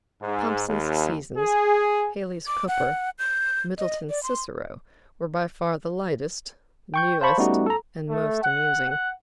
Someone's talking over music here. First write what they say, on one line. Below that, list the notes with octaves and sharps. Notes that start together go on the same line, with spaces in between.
Thomson's Seasons, Hayley's Cowper, Middleton's Cicero, were by far the lightest, newest, and most amusing.
G#2
D#2
G#4
D6
F#5
G6
D#5
D5
C6
G5 C#6 G6
C5 F5 A5 B5 C#6
G3 A3 B3 C#4 D#4 F#4
A4 A#5
A3
F#5
F#5